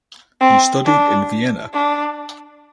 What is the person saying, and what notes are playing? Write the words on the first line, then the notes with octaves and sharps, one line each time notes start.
He studied in Vienna.
C4
D4
D4